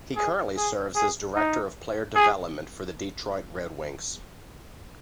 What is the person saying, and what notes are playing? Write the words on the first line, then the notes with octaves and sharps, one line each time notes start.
He currently serves as Director of Player Development for the Detroit Red Wings.
G#4
G#4
G#4
D#4
G#4